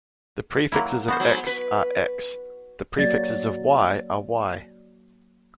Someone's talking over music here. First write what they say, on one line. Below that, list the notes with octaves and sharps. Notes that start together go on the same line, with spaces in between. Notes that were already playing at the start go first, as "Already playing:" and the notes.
The prefixes of "X" are "X"; the prefixes of "Y" are "Y".
F#3 A#3 E4
B3 F#4 C5
G#2 F#3
B4
F#3 A#3 D5 A6